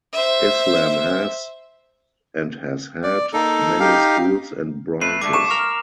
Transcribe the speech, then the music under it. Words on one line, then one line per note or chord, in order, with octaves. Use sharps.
Islam has, and has had, many schools and branches.
C5 E5
D5
A#3 D#4 A4
D#4 G4 F5
A3 B4 C7
G2 D3 A3 D6
C#6 E7
A#4 F6